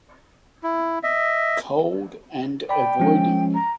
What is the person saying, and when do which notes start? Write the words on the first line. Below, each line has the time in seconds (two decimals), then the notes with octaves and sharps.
Cold and avoiding.
0.63 E4
1.03 D#5 E5
2.69 D5 G5 B5
3.00 F3 G#3 C#4
3.54 A#5